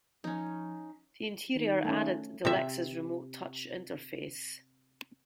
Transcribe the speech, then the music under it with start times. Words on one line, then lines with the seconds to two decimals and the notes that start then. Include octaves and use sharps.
The interior added the Lexus Remote Touch interface.
0.24 F3 C#4 D#4
1.56 D#3
1.85 A3 C#4
2.45 C3 E5